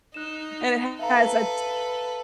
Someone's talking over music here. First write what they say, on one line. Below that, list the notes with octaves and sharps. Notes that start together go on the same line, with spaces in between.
And it has a
D#4 F#6 E7
A4 B4 E5 F5 A#5